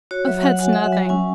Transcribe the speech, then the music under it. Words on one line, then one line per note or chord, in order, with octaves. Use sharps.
"Oh, that's nothing."
F#4 C#5
F#3 E5
F#3 F#5
F#4 G#5
F#3 E5
F#5
F#3 G#5
C#4 G#5